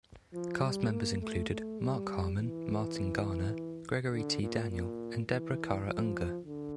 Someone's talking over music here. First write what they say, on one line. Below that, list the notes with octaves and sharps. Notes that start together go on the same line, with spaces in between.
Cast members included Mark Harmon, Martin Garner, Gregory T. Daniel, and Deborah Kara Unger.
F3
G3
A#3
A3
A3
G3
E3
D3
A#2
A#2
E3
F3
D3